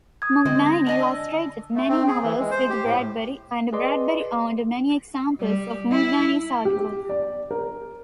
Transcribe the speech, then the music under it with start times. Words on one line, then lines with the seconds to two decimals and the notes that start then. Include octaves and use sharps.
Mugnaini illustrated many novels with Bradbury, and Bradbury owned many examples of Mugnaini's artwork.
0.22 D#6 G#6
0.45 D3 G#3 C4
0.66 A#6
0.86 D4 D#5 G#5
1.01 E6
1.75 A3
1.89 C4
2.07 G#4
2.24 E3
2.40 G#3
2.51 C5
2.70 G4
2.85 A2
3.73 G#4 B4 D5 D#5 C6 D6
5.41 G3
5.92 E4
6.65 G4
7.09 D5
7.51 A#4